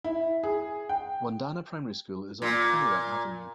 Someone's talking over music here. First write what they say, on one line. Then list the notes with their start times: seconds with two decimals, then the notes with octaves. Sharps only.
Wandana Primary School is on Cowra Avenue.
0.04 E4
0.43 G#4
0.89 G5
2.42 A#2